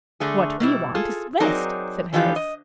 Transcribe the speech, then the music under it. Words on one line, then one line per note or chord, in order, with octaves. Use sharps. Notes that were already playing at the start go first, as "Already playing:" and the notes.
"What we want is rest," said Harris.
D3 A3 G#4
B2 G3 E4
F4 G#4 A4
F#3 C4 D#4 G#4 A#4 D5
D3 E3 F3 F4 G4
D#5